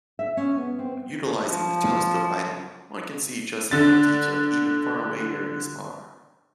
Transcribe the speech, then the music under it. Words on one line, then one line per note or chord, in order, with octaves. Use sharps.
Utilizing the telescope item, one can see just how detailed even far-away areas are.
E5
C#4
B3
C4
F3
D3 A6